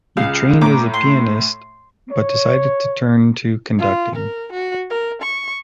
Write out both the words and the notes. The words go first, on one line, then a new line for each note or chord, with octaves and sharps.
He trained as a pianist, but decided to turn to conducting.
C#2 F5
A2 A#5 D6
C6
C#5
F4
A#4
F#4
A#4
C#6